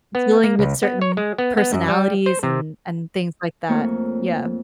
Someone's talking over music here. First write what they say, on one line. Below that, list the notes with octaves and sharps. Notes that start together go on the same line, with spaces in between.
dealing with certain personalities and and things like that. Yeah.
B3
A#3
C#2
B3
C#5
G#3
B3
B3
F#2
G3
C5
C3
F2 A3 A#3 C#5 A#5